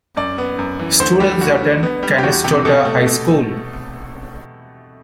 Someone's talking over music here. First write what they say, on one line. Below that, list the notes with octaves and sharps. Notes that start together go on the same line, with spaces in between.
Students attend Canistota High School.
F#2 D5
B3
F#2
E3
D2 C5
G3 G4
D2 F#4
D3
B3
G3
G4
E2 F#4
C3 G4
B2 A4
A3
B2